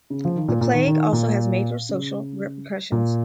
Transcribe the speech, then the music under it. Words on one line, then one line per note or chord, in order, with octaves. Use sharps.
The plague also has major social repercussions.
C#3
F3
D#3
A#2
A#2
D#3
D#3
A#2
C#3
A#2